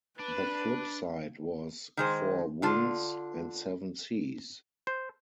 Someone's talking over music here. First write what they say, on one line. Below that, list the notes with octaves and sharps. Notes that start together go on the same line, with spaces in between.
The flip side was Four Winds and Seven Seas.
D4 B4
D#3 G#3 C5
D3 F4 A5
C5